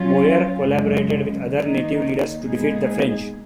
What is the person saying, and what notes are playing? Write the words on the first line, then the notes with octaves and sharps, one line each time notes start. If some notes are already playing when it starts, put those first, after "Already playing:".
Boyer collaborated with other native leaders to defeat the French.
Already playing: F#3 C#4 F4
F#2 C#3 G#3
D#3 A#3 D#4
A#2 G#3 B3 D#4 G#4